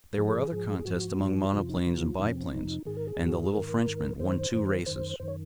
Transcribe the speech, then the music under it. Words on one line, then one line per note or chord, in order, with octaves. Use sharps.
There were other contests among monoplanes and biplanes, and the little Frenchman won two races.
G#2 F3 G#4
G#2 F3 G#4
G#4
G#2 F3 F#4
G#2 F3
F2 C3 F3 F#4
F4
D#4
F4
F2 C3 F3
F2 C3 F3 D#4
C#4
C4
C#4
F2 C3 F3 D#4
G#2 D#3 G#4
A#4
G#4
G#2 D#3
F#4
G#4
G#2 D#3 A#4
G#2 D#3
F#2 D#3 C5
F#2 D#3
F#2 D#3 C5
F#2 D#3 C5
C#5